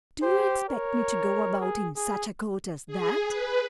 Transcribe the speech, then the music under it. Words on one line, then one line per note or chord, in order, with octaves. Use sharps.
'Do you expect me to go about in such a coat as that?
G4 C5
A#4 C#5
G#4
G#4
G#4
B4